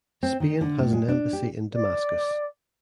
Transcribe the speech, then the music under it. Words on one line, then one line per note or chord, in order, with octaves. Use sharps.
Spain has an embassy in Damascus.
C4
D#3
D3
A2
G#3
D4
G4
D5